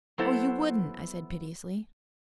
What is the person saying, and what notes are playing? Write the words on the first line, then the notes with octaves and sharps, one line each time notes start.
"Oh, you wouldn't," I said piteously.
F#3 B3 E4 A4 C5